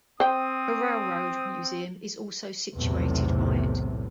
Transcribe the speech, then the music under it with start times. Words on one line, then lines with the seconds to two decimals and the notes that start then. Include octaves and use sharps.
A railroad museum is also situated by it.
0.20 C4 C5 G5 D#6
2.75 B1 E2 A2 C3